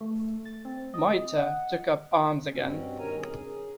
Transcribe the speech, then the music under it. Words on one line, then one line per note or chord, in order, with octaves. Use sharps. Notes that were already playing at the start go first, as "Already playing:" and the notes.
Mitre took up arms again.
A3
A6
C4
D#5
F#5
G2 B2 C4 C#4
D#3 C#4 A#4 C#5 G#5 A#5
G#4